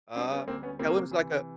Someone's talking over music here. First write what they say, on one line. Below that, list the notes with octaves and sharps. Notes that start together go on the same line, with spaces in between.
Uh, Katt Williams like a
G3 C4 D4
B3 C#4
D2 A#3 C4
B3 C#4
C3 A#3 C4
E3